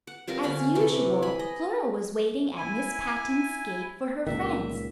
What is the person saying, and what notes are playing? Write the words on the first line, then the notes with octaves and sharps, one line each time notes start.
As usual Flora was waiting at Miss Patten's gate for her friends.
F#5
G3 C4 F4 A#4
D3 C#4 F5 B5
C3 E3 A3
G#5 B5
D#5
E4 G#5
C#2 A#2 D#3 E5